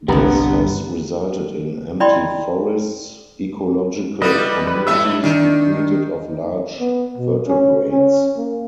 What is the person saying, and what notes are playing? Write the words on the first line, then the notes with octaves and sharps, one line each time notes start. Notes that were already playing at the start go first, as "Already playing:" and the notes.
This has resulted in empty forests, ecological communities depleted of large vertebrates.
G1 C2 D3 B3 G4 B4 A#5
E4 D5 D#5 G5 B5 C6
G3 B3 E4 B4 D#5
B4
A2 B3 E5 E6
D#3 D4
B3
B2
C#4
C#4
A#3